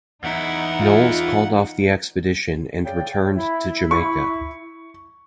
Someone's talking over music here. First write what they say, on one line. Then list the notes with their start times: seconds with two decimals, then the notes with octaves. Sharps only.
Knowles called off the expedition and returned to Jamaica.
0.24 E2 D#4 E4 F#5
0.81 F4
2.84 C#3 D5 G5
3.36 E4
3.91 C#6